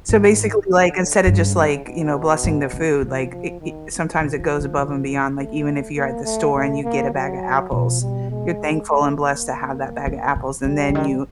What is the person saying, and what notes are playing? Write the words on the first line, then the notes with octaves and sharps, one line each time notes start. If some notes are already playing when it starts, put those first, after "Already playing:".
So basically, like, instead of just, like, you know, blessing the food, like, it it sometimes it goes above and beyond, like, even if you're at the store and you get a bag of apples, you're thankful and blessed to have that bag of apples, and then you,
G#2 D#3
D3
G2 C#3
C#3
B2
G#2
C#3
C3 F3
F3
D#3
E3
B2 F3
C3
C#3
C3
A3
A#3
A3
B2 A3
A#3
F#3
B2 F3
G3
G#3
A3
A#3
C#3
C3
C#3 G3
D3
D#3